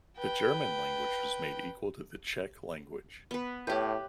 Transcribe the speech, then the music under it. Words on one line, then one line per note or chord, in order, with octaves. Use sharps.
The German language was made equal to the Czech language.
B4 G5
B3 B4
A2 G4 B4 C#5 E5 G6